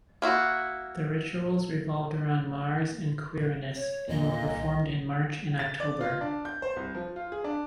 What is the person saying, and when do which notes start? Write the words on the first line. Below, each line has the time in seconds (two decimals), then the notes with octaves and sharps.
The rituals revolved around Mars and Quirinus, and were performed in March and October.
0.22 A#3 E4 F#4
3.75 C#5
4.09 E2 A#2 D3 D#3 D#5
4.47 C2
5.59 A6
5.80 D5
6.01 F4
6.21 D4
6.45 G6
6.62 C5
6.76 C2
6.95 F3
7.16 F4
7.32 G#4
7.44 D4